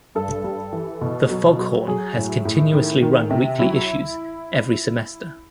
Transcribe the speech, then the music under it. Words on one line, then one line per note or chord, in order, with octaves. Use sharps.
The "Foghorn" has continuously run weekly issues every semester.
G2 A4
G3
E3
B2
F#3
F#3
F#3 G#4
A2
A2
D#3
D#3
C3
F#3 E4